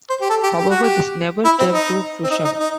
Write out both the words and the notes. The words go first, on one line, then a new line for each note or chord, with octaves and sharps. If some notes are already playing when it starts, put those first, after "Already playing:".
However, this never came to fruition.
C5
G4
A4
G4
G4
F#4
G4
E4
C4
D#4
C4
D#4
D#4
D#4